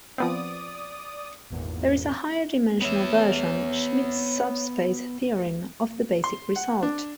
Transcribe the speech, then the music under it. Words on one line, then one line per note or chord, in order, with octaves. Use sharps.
There is a higher-dimensional version, Schmidt's subspace theorem, of the basic result.
F3 B3 C4 D5 D#6
G#1 E2 A#2
B3 C#5 E5
C6
F#5
D4